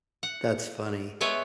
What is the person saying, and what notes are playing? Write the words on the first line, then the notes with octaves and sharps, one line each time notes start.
That's funny.
F#5
G#3 B3 B4 C#5 E5 G5